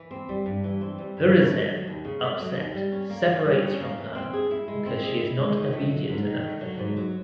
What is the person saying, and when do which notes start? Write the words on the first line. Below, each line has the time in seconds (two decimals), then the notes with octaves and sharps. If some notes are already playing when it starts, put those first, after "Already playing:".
Urizen, upset, separates from her because she is not obedient enough for him.
Already playing: E3
0.11 C4
0.29 G3
0.46 G2
0.64 E3
0.81 C4
0.98 G3
1.17 G2
1.34 C#3
1.52 A3
1.69 F#3
1.87 D#2
2.05 C#3
2.22 A3
2.40 F#3
2.57 D#2
2.75 G3
2.92 C#4
3.10 A#3
3.28 E3
3.45 G3
3.63 C#4
3.81 A#3
3.98 E3
4.15 C4
4.33 G#4
4.51 E4
4.68 G#3
4.86 C4
5.03 G#4
5.21 E4
5.38 G#3
5.56 D#3
5.73 A3
5.91 F#3
6.09 G#2
6.26 D#3
6.44 A3
6.61 F#3
6.79 G#2
6.97 F#3